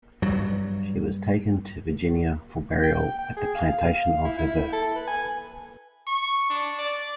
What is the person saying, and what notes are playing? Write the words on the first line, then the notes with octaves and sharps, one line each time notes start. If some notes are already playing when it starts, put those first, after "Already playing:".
She was taken to Virginia for burial at the plantation of her birth.
G2 F#3
G5
G5
G#4
F5
F5
E4
E4
A4
B4
G#5
C#6
D4
D5